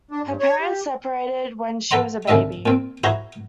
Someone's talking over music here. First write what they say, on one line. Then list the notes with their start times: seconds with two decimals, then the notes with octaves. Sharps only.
Her parents separated when she was a baby.
0.11 D4
0.25 G2
0.40 C#5
0.60 G4
1.91 A4 B4 F#5 A#5 C6
2.28 C2 D3 D#3 D#5 E5
2.66 A#2 C4
3.04 E4 F#4 G#4 C5 A#5 C6